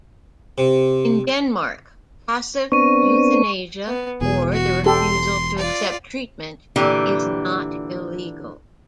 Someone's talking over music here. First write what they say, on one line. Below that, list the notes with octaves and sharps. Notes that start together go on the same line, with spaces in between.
In Denmark, passive euthanasia, or the refusal to accept treatment is not illegal.
C3
B3 C4 D4 C#6 D#7
B3
E1 E2 B2 G#4
F#4
G4 A4 C6
F4 D5
A#2 D3 E3 G4